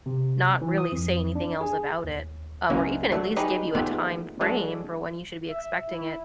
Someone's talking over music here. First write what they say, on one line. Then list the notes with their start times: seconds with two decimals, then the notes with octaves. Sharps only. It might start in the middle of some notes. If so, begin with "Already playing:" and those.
not really say anything else about it, um, or even at least give you a time frame for when you should be expecting it.
0.06 C3
0.61 E3
0.78 D#6
0.92 F2
1.35 D4
1.61 G#4
2.04 D#2
2.70 C#2 F#3 A#3 C#4 E4 D#5
3.12 F#3 A3 D4
3.36 D#4 G4 G#4 B4 C#5 D#5
3.75 A#2 D#3 G#3 A3 B3 G4
4.41 F#3 G#3 D4 A4 C#5
5.50 E5
5.90 E4